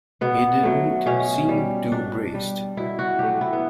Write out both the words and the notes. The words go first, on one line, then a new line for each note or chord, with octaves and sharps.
He didn't seem too braced.
B2 B3
F#3 A3
B2 C#4
G3
B2 D4
G3
B2 E4
F#4
F#3 A3 G4
E4
B3